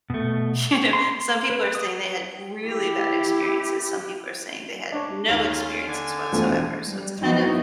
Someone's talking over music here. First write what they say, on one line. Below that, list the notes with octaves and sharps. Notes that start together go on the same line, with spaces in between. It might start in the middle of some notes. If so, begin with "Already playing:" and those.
you know, some people are saying they had really bad experiences, some people are saying, "They had no experiences whatsoever," so it's kind of
B2 A3
C6
B4
D#6
E4 G4
D4 C#5
D#2 D#3 A3 C#4 F4 F5
D3 G#5
E1 F3 A3 C4 F4 F#4
G3
F3 F#3 B3 D#4 E4 F#4